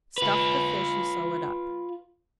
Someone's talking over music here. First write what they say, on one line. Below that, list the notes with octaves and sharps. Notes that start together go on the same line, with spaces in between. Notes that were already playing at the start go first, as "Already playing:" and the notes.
Stuff the fish and sew it up.
F4 B4